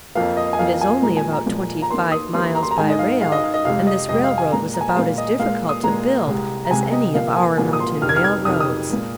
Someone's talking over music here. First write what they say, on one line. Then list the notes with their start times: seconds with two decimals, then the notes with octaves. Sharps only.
It is only about twenty-five miles by rail and this railroad was about as difficult to build as any of our mountain railroads.
0.15 F2 F3 A#3 F5
0.37 D#5
0.53 G#5
0.59 F2 F3 A#3 F5
0.81 G#5
1.02 A#2 F3 G#3 A#5
1.17 G#5
1.32 A#5
1.46 A#2 F3 G#3
1.82 A#5
1.90 D#2 D#3 A#3 C6
2.12 D#6
2.34 D#2 D#3 A#3 C6
2.55 A#5
2.63 C6
2.71 A#5
2.78 G#2 D#3 G#3 G#5
2.90 D#5
2.99 F5
3.21 G#2 D#3 G#3 F5
3.32 D#5
3.44 F5
3.54 D#5
3.65 F2 C3 G#3 F5
3.87 D#5
4.09 F2 C3 G#3 D#5
4.24 F5
4.38 G#5
4.52 A#2 G#3 A#5
4.74 A#5
4.81 G#5
4.88 A#5
4.96 A#2 G#3 F5
5.18 D#5
5.39 A#2 G#3 F5
5.69 D#6
5.84 A#2 G#3 A#5
6.27 C2 C3 G#3
6.65 A#5
6.71 C2 C3 G#3 G#5
6.92 D#5
7.14 C2 A#2 F3 A#3 F5
7.37 G#5
7.58 C2 A#2 F3 A#3 G#5
7.73 D#6
7.80 C6
8.02 F2 C3 D#3 F6
8.09 G#6
8.16 F6
8.24 G#6
8.45 F2 C3 D#3 D#6
8.53 F6
8.60 D#6
8.90 A#2 G#3